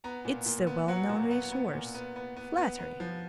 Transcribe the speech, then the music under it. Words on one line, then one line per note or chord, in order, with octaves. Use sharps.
It's the well-known resource--flattery.
B3 A#5
A#2
A#2
B3
F#3 F#5
A#2
B3
B3
A#2
B3
B3
B3
B3
B3
F3